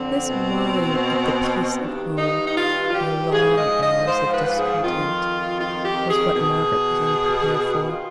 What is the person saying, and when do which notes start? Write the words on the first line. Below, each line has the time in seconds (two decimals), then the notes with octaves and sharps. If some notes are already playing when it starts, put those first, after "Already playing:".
This marring of the peace of home, by long hours of discontent, was what Margaret was unprepared for.
Already playing: F2 D3 F3 C4
0.29 B2
1.80 G2 D#3 D4
2.18 D#4
2.47 D#4
2.56 F4
2.89 F4
2.94 G4
3.32 G#2 F3 G#4
3.52 F5
3.57 D#5
3.82 D#5
4.08 C5
4.33 B4
4.58 G#4
4.83 F2 D#3 F4
5.59 F4
5.84 G4
6.09 G#4
6.34 B2 G#4
7.87 D#3 F4